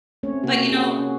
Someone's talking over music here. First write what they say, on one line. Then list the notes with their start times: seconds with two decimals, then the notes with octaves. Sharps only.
But, you know
0.23 A3 C4 C#4 C#5
0.43 C3 A#3 F#4
0.71 C#4 F#4 G#4
0.98 C#4